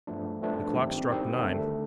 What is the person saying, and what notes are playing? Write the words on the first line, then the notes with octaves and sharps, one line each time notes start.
The clock struck nine.
G2 F3 A3 D4
G2 F3 A3 D4
D#3 G3 C4 G4
D#3 G3 C4 G4
D3 A3 D4